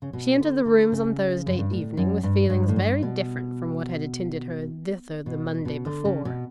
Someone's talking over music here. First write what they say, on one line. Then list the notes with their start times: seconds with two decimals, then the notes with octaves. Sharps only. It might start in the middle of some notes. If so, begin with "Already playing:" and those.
She entered the rooms on Thursday evening with feelings very different from what had attended her thither the Monday before.
0.02 C#3
0.13 B2
0.39 D3
0.65 D3
0.92 C#3
1.46 F#2
1.59 G2
1.71 A2
1.97 F#2
2.23 G2
2.50 G2
2.68 A2
2.76 G2
3.03 B2
5.26 B2
5.65 B2
5.85 D3
6.05 C#3
6.25 B2